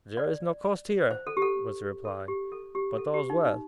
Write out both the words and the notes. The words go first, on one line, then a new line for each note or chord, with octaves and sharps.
"There is no coast here," was the reply, "but all's well."
D5
C5
A4
G4
A4
A4
G4
A4
G4
A4
G4
D#4
D#4